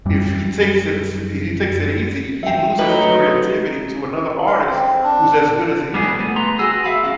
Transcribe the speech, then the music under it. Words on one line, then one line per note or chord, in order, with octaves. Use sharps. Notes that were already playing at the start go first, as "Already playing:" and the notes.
if he takes it s he takes it easy, he loses his creativity to another artist who's as good as him.
F#2 G3
E5 G5
F#3 A3 D#4 B4
F5
C4
D4
G3 B3 G#4
A3
B3 A#5 C6
F#4 G#4 E6
E5 F5 B5
C#4 F#4 F5